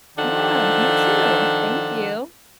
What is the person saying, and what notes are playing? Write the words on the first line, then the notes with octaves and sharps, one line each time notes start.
Yeah, you too, thank you,
D#3 F3 D4 A4 F#5